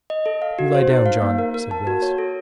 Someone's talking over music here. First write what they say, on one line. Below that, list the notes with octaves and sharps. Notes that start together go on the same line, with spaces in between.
"You lie down, John," said Willis.
D#5
A4
F5
F#4
C5
D#4
F5
A#3
A#4
A#4
A5
F#4
C#5
A4